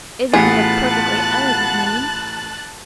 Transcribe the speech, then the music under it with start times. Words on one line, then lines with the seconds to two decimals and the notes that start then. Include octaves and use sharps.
Isn't that a perfectly elegant name?
0.33 A1 A2 B3 F4 G#4 A5 F#6 A6